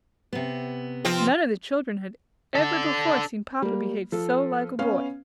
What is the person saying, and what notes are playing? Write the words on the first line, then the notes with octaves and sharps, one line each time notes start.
None of the children had ever before seen Papa behave so like a boy.
C3 B3
F3 C4 F4
D4 A4
G3 A#3
F3 A4
B3 C#4 F5